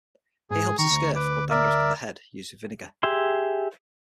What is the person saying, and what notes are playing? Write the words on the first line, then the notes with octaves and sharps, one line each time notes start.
It helps the scurf or dandruff of the head used with vinegar.
G#2 G#4
D#3 A#5 C#6
D2
B4 D6
A#4 D5 E5
G4 G#4 E5 C6